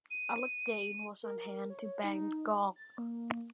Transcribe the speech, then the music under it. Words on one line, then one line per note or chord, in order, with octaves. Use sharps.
Alec Dane was on hand to bang the gong.
D#7
A#4
C#5
D#4
A6
A#3